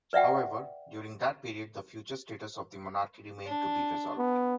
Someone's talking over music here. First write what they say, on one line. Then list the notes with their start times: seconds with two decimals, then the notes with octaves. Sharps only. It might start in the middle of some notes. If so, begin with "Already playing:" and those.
However, during that period the future status of the monarchy remained to be resolved.
0.13 B4 D5 E5 F#5 G5
3.46 D4
4.18 B3